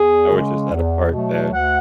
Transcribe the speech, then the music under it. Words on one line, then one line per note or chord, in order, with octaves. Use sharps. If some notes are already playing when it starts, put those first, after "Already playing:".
I was just at a park that
Already playing: E2 G#4
C#3 G#3 C#4
E2
B2 F#3 A3
D2 F#5